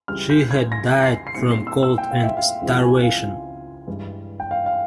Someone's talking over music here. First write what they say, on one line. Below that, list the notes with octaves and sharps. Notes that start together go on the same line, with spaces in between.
She had died from cold and starvation.
C#2 C#3 E3 G3 F6
G6
G#6
A#6
C7
C7
A#2 G3 C4 E4 C#7
C7
E6
E6
G5
F5
E5
F5
C#2 C#3 F3 C4 E4
G#5
F5
G2 E3 G#3
G5
F5
F5